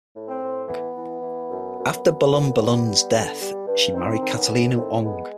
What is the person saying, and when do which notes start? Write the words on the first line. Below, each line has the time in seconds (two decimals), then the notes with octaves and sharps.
After Balunbalunan's death, she married Catalino Ong.
0.15 A2
0.28 C4
0.42 A2
0.68 E3 B3
0.96 E3
1.22 E3
1.49 F#2
1.78 F#2
2.04 F#2
2.31 A#2
2.58 G3
2.86 G3
3.13 D3
3.40 G3
3.67 G2
3.93 D#3 C4
4.21 D#3
4.34 B3 C#4
4.48 D#3
4.75 A2 C4
5.03 G#3 B3